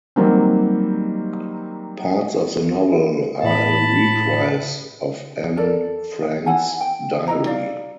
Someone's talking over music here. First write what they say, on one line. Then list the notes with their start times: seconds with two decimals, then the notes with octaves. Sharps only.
Parts of the novel are a reprise of Anne Frank's Diary.
0.16 D#3 F#3 G3 A#3 C4
3.43 A2 A5 B5
5.57 A4 A#4 D5
6.46 E4 F#5 G#5 A5
6.81 G5
7.27 E4 D#5 A#5
7.46 D5 F5